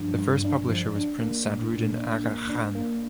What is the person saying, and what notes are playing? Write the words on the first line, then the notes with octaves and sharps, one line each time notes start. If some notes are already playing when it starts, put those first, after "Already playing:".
The first publisher was Prince Sadruddin Aga Khan.
Already playing: G2 F3 D4
G2
D4
F3
D4
A#3
A#2
A#2
D4
A#3
D4
A#3